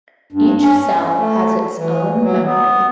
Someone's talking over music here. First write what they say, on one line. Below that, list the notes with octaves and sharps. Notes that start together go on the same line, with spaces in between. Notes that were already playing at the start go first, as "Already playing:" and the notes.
Each cell has its own memory.
G2
C#4
A3
E3
F#3
B3